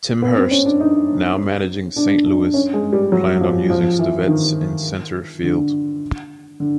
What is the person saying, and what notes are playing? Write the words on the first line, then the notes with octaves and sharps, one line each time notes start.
Tim Hurst, now managing Saint Louis, planned on using Stivetts in center field.
B3
C4
C#4
D4
D#4
D4
D4
C#4
G#3
G3
F#3
F3
F3
E3
D#3
D3
D3